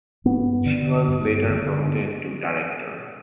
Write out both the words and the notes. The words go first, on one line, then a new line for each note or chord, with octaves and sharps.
She was later promoted to Director.
G2 B3
D3
G2
D3